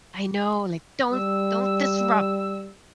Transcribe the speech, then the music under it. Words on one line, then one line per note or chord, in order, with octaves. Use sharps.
I know, like, don't don't disrupt
G3 E6